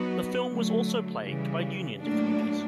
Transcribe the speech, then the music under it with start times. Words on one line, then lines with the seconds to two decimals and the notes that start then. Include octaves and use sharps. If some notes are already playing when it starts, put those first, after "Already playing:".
The film was also plagued by union difficulties.
Already playing: F#3 B3 D#4 F#4
0.47 D3 F#3 A3
1.23 C#3 E3 G3
2.01 A2 F#3 A#3 D4